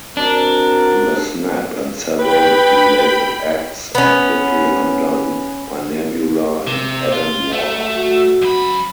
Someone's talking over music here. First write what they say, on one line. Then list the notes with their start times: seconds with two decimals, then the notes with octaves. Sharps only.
The Snap and several related acts are quickly undone by Nebula and Adam Warlock.
0.17 C4 D4 F#4 A#4
2.19 B4 G5 B5
3.95 B3 C#4
6.67 C3
7.12 F4
7.52 A3
7.91 F#4
8.42 F#2 B5